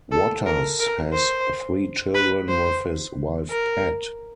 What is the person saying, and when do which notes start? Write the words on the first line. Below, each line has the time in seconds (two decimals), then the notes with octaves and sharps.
Watters has three children with his wife Pat.
0.12 A4
0.46 A#4
0.79 A#4
1.13 C5
2.14 B4
2.49 C5
3.50 A#4